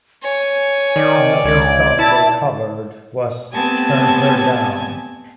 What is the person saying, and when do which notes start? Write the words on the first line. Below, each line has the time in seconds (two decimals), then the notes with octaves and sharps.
Another song they covered was "Turn Her Down".
0.23 C#5 G#5
0.96 D#3 D5
1.45 C#2 G#6
1.99 E4 A5
3.53 A3 B3 C4 G4 G#5 A5